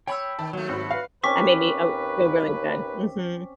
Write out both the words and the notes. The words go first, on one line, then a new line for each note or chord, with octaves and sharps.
I made me o feel really good. Mhm.
C#5 G5 B5 E6
D#3 A5
D#2 F#3 A3
G#1 F#3 F#4 B5
B4 F5
D#2 C4 C#4 B4 C#6 D6 B6